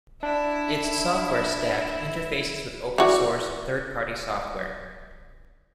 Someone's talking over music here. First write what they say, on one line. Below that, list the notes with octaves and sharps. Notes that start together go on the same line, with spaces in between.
Its software stack interfaces with open source third-party software.
D4 E4
E3 F#4 D5